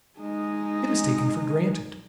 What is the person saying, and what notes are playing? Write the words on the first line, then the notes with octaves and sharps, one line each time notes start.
It is taken for granted.
G#3 D#4